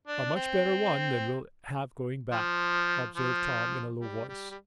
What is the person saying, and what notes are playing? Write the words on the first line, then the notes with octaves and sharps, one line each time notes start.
"A much better one than we'll have going back," observed Tom, in a low voice.
D4
C4
F3
F3
G3
G3
G3